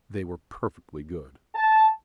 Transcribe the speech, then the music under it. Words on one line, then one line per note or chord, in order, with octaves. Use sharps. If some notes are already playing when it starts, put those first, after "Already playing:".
They were perfectly good.
A5